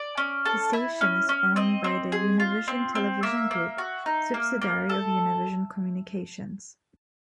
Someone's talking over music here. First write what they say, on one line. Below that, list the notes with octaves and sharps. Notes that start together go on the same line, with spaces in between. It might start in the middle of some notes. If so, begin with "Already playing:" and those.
The station is owned by the Univision Television Group subsidiary of Univision Communications.
Already playing: D5
C#4
A4
E4
C#4
C#4
C4 D#5
C4
G#4
F4
C4
C4
A#3 E5
A#3
F#4
D#4
A#3
A#3
A4